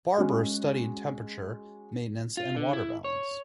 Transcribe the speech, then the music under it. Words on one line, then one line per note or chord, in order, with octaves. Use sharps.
Barbour studied temperature maintenance and water balance.
G#3 C#4 F#4
F4
D3
E4
C#5